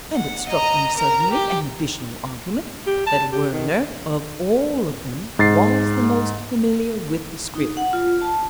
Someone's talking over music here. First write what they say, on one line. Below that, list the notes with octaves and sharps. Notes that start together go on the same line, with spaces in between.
And it struck me suddenly, an additional argument, that Werner, of all of them, was the most familiar with the script.
F#5
D#5 A#5
A#4 A#5
G4
G4
A5
G4
D#3
G#2 A6 C7
D#4
F#5
F4
A5